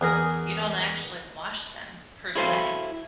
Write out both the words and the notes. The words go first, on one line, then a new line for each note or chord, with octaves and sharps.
you don't actually wash them per se,
E2 G#4 A#4 D#6
E4 F#4 G4 A4 C5 F5